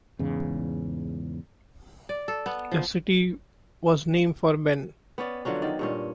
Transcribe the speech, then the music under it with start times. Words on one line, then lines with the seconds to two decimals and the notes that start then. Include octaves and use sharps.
The city was named for Ben.
0.19 E2 G#2 C#3
2.09 D5
2.28 A4
2.46 B3
2.72 F3
5.18 B3 C#4 D5
5.45 D3 F3 F#3 C#4
5.62 D#3 D5
5.79 G2 A#2 C#4